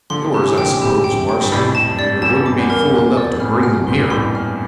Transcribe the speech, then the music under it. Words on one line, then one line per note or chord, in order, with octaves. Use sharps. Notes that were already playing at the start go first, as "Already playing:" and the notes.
Yours, I suppose, Marston, or you wouldn't be fool enough to bring them here.
D3 F3 C6
C3 E3 G4
A#2 D3 G5
A2 C3 G4
G5
G5
G2
F2 A2 D5
A5
D5
E2 G2 A5
E2
F2
D6
E2
A#4
F2
E2 C6
F2 D5
F2 A2 F6
F6
G2 A#2 C6
F2 A2 C6
F6